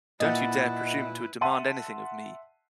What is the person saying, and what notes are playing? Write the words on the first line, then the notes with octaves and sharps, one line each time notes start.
Don't you dare presume to demand anything of me!
A#2 E4 B4 D#5 E5 F#5 A6
E5 F#5 A5 C6 D#7